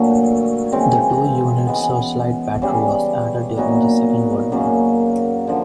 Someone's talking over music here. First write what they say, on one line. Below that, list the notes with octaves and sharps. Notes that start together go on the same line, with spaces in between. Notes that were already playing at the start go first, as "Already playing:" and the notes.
A two unit searchlight battery was added during the Second World War.
Already playing: A#2 D3 F#3 A3
C#3 E3 G#3 C4
E3 G#3 B3
C#3 E3 G3
A#2 F#3 B3 D#4
F#2 C#3 F#3 A#3
D3 F3